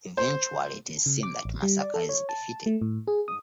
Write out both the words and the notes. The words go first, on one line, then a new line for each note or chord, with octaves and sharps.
Eventually, it is seen that Masaka is defeated.
C5
C#3
D6
A1
G3
D5
A4
C#5
A5
A3
A2
G#4
D#6